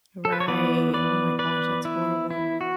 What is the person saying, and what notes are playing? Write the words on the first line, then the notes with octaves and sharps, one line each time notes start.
Right, oh my gosh, that's horrible.
A4
B4
C#5
E3 B3 B4 D5
B4 D5
B4 D5
E4
E4
F#4